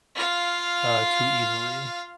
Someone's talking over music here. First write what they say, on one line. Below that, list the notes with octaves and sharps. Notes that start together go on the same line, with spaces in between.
uh, too easily.
F4 F5